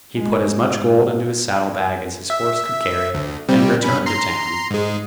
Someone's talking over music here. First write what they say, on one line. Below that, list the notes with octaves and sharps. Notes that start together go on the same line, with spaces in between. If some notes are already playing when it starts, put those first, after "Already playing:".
He put as much gold into his saddle-bag as his horse could carry, and returned to town.
G#3
G#2
E5
D2
C3 G3 C4
B2 C#4 B5
A#5 C6 C7
G#2 G#3